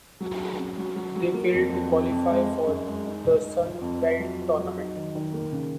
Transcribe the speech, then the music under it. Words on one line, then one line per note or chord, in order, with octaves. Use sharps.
They failed to qualify for the Sun Belt Tournament.
F#3
G#4
C#4
F#3
F#3
F#3
A#3
F2
F2
F2
F2
G#3
G#3
F#2
G#3
D#4
D#4
D#4
F4
F2
F3
F#3
F4
F#3
D#4
D#3
D#3
A#3
C#3